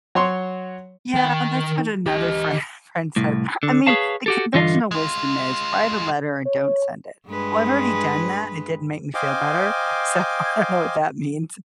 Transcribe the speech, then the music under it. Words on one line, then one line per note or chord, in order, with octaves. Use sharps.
Yeah, that's what another friend friend said. I mean, the conventional wisdom is write a letter and don't send it. Well, I've already done that, and it didn't make me feel better. So I know what that means.
F#3 C#5 C6
D#3 G5
G4 D#5
C2 A2
D3
G#4 A4 B4 C#5 F5 A5
F#4 G4 A4
G2 D3 E3 F4 D#5 F5
G#3 F4
C#5
G2 G#3 B4
C5 D#5 F5 G5 G#5 D6